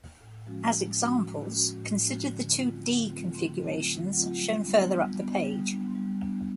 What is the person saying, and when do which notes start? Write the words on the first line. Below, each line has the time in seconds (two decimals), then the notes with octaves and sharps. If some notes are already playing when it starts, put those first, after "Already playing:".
As examples, consider the two "d" configurations shown further up the page.
0.21 A2
0.47 F3 G#3 C#4 F#4
0.74 A2
1.00 F3 G#3 C#4 F#4
1.25 A2
1.51 F3 G#3 C#4 F#4
1.77 A2
2.04 F3 G#3 C#4 F#4
2.30 D3
2.56 F#3 A3 C4 F4
2.82 D3
3.08 F#3 A3 C4 F4
3.35 D3
3.61 F#3 A3 C4 F4
3.87 D3
4.13 F#3 A3 C4 F4
4.39 G3
4.65 B3 D4
4.92 G3
5.17 B3 D4
5.44 G3
5.70 B3 D4
5.95 G3
6.22 B3 D4